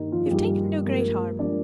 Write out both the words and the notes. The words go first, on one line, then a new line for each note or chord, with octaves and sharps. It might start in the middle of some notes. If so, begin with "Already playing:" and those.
"You've taken no great harm."
Already playing: G2 D#3 A#3 D#4
F3 F4
G#4
G2 D#3 G3 A#3 G4
G2 F3 G#3 A#3 A#4
F3 G#3 D4 D5